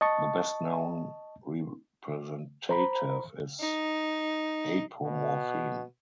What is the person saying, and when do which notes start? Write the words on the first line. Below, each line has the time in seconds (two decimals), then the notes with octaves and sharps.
The best known representative is apomorphine.
0.01 D#5 A5 C#6
2.69 C5 A#5 B5
3.60 D#4
5.04 B2